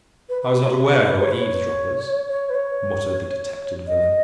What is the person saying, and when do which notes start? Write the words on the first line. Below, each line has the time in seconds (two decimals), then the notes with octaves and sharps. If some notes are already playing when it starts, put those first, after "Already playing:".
'I was not aware there were eavesdroppers,' muttered the detected villain.
0.29 B4
0.42 B4
0.64 C#5
0.69 B4
0.95 B4
1.21 C#5
1.31 B4
1.41 C#5
2.28 C#5
2.50 B4
2.55 C#5
3.87 D#5